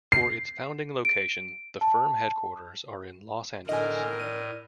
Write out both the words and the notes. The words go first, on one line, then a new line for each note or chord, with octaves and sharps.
For its founding location, the firm headquarters are in Los Angeles.
C7
D7
A5
A2 D3 A#4 D#5 G#5
D5 D#7